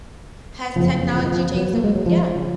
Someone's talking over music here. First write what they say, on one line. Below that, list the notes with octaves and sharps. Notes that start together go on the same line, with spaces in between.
Has technology changed the way Yeah.
F#1 F2 C#3 F3
F3
D#3
F3
F#3
A#3
G#3
F#3
F3
C#3